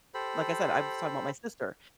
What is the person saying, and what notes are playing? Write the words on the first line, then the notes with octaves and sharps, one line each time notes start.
like I said, I was talking about my sister.
G4 A4 C5 B5